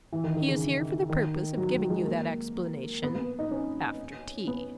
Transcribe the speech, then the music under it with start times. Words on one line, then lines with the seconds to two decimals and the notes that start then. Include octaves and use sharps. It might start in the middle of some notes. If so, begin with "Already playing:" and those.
He is here for the purpose of giving you that explanation--after tea.
0.13 E3
0.24 D#3
0.36 D#3
0.48 C#3
1.09 D#3
1.57 F#3
1.74 F#3
1.90 G#3
2.06 A#3
3.03 B3
3.15 B3
3.39 D#4
3.51 C#4
4.47 B3